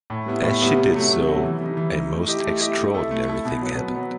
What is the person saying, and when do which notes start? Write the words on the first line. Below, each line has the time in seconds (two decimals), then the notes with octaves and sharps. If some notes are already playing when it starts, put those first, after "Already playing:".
As she did so, a most extraordinary thing happened.
0.10 A2
0.26 G3 B3 E4
0.43 A2
0.60 G3 B3 E4
0.76 C3
0.94 F#3 A3
1.10 C3
1.27 F#3 A3
1.43 E3
1.60 G3 D#4
1.77 E3
1.94 G3 D#4
2.11 A3
2.27 E4 G4 D#5
2.44 A3
2.61 E4 G4 D#5
2.77 A3
2.94 E4 A4
3.11 A3
3.28 E4 A4
3.45 B2
3.61 F#3 B3
3.78 B2
3.95 F#3 B3